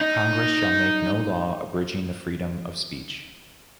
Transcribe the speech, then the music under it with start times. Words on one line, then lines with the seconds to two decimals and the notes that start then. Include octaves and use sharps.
Congress shall make no law abridging the freedom of speech.
0.01 D#4